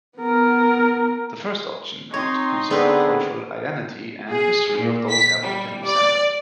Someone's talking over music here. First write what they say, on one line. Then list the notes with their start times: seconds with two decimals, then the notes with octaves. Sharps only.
The first option would conserve cultural identity and history of those African descendant.
0.18 B3 A#4
2.14 C4 D#4 C#5 C6
2.71 D3 B3 C4 G#4 B4
4.29 G#4
4.78 A#2
5.10 B6
5.45 G3
5.85 D5